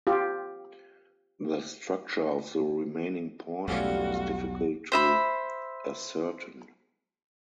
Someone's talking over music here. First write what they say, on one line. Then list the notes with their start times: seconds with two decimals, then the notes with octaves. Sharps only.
The structure of the remaining portion is difficult to ascertain.
0.07 F4 G4
3.68 B1 E2 G3 A3 C#4 F4 F#4 C#5
4.92 C5 E5 B5